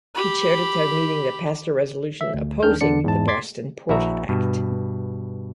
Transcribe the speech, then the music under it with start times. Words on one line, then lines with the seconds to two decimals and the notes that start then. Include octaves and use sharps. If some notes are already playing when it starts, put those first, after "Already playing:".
He chaired a town meeting that passed a resolution opposing the Boston Port Act.
0.14 G4 B5
2.21 E5
2.34 D2
2.63 D#2 D#3 C#4 D4 F6 G6
2.81 E2 D3 D4 D5 C#7
3.04 E2 G#2 A5
3.28 C6 D6 G#6 A6 B6 C7
3.89 A#1 E4 F#4 E5 A#5
4.29 G2 B2